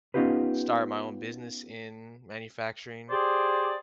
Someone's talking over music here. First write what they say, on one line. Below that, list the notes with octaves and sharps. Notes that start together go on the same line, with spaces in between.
start my own business in manufacturing,
B3 C#4 D#4 F4 G4 B4
G4 G#4 C5 D5